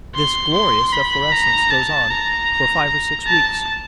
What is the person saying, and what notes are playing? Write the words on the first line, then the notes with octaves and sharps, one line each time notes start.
This glorious efflorescence goes on for five or six weeks.
C6
C6
B5
A#5
A5
A#5
A5